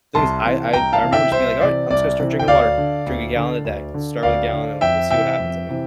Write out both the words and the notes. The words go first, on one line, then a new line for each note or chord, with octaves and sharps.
things I I I remember just being like, "Alright. I'm just gonna start drinking water. Drink a gallon a day. Start with a gallon, and we'll see what happens." I mean,
C2 A5 C6
C3 E3
C2 G5 A#5
F5 A5
C3 E3
E5 G5
C2 C5 E5
C3 E3 D5
C2 D5
C3 E3
G5
D2 D5 F5
D3
D2
D3
D2
D3
D2 D5 F5
D3
F2 E5 G5
C3 E3 E5 G5
F2
C3 E3